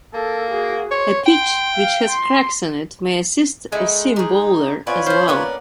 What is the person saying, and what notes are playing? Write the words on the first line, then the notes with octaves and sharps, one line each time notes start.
A pitch which has cracks in it may assist a seam bowler as well.
A#3 A4
F#4 G#4
C5 C#5
G5 C6
F5
C6
G#3 A3 D#4 E4
D#4 G4 G#4
B3 C4 F4 C#5 D5 G#5 B5
C#4 D4 C5
A#3 B3 C#4 D4